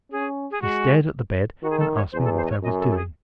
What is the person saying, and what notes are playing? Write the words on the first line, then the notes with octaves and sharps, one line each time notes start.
He stared at the bed, and asked me what I was doing.
C#4 G#4
G#4
G#3 F#4
D#3 F#4
G#4
A4
C#5
E2 C5
A4
C5
D#5
C#5
F#2 D#5
A4
A4
G#4